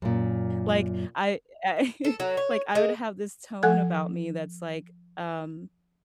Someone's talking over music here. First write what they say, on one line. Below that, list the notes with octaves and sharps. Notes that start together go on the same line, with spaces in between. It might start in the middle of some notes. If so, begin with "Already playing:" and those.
Like I I like, I would have this tone about me that's like, um,
F#2 A#2
A4
F#3
C#5
G#3
F3 A4 F#5 G#5 F#6 G#6